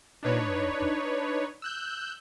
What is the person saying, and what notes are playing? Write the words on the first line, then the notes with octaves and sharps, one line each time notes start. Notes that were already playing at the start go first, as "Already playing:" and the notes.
I am happy.
D4 D#4 B4 C#5
E6 F#6 G6